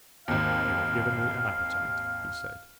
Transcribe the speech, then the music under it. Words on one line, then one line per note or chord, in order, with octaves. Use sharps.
"You have given me an appetite," he said.
G#1 D#2 F5